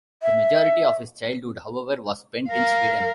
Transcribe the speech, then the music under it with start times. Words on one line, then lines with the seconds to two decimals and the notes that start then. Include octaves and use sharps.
The majority of his childhood, however, was spent in Sweden.
0.23 E5
2.49 A#4 F5